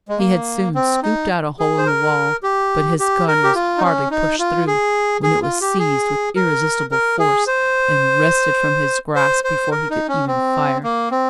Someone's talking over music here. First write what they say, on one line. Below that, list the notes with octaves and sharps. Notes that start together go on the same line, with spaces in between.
He had soon scooped out a hole in the wall, but his gun was hardly pushed through, when it was seized with irresistible force, and wrested from his grasp before he could even fire.
G#3
A#3
C4
D#4
G#4
C5
A#4
G4
G4
A#4
G4
F4
D#4
C#4
D#4
F4
G#4
G#4
F4
G4
G#4
A#4
A#4
G#4
C5
C5
C5
A#4
D#4
C#4
C4
A#3
C4